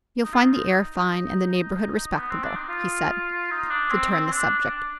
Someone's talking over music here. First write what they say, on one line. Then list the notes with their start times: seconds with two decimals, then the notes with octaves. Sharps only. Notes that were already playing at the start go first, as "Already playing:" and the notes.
"You'll find the air fine, and the neighborhood respectable," he said, to turn the subject.
0.24 D#4
0.32 F4
0.41 D#4
2.18 B3
2.30 C4
2.43 D4
2.56 D#4
2.68 F4
3.51 D#4
3.70 D4
3.91 C4
4.11 C4
4.26 C4
4.32 D4
4.59 D4